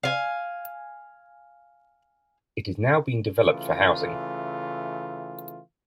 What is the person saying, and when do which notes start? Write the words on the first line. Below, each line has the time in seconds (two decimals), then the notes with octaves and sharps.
It is now being developed for housing.
0.03 F5 G#5
3.47 C#3 E3 A3 F4